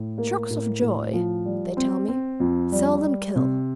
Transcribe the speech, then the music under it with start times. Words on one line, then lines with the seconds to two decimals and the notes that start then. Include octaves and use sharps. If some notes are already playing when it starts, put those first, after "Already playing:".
Shocks of joy, they tell me, seldom kill.
Already playing: A2
0.18 A#3
0.50 A2
0.81 A2
1.13 F3
1.45 G3
1.77 C4
2.08 C4
2.40 F2
2.72 G3
3.03 G3
3.36 C3